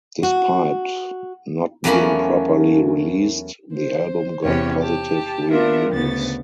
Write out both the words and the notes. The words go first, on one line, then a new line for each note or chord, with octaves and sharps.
Despite not being properly released, the album got positive reviews.
F#4
E2 F#3 A3 A#3 C#4 B5
C5
E2 C3 C#4 G4 C#5
G4 A5
B3 D4 F4 A#4 E5
D2 C#3 B3 A6